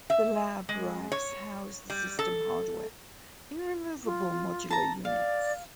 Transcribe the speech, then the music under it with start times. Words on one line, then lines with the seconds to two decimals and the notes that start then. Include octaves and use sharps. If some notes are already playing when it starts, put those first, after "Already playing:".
The lab racks house the system hardware in removable modular units.
0.10 E5
0.69 G#3
1.12 C#5
1.90 G3
2.19 A4
4.05 F4
4.70 A5 A#5
5.05 D5 F5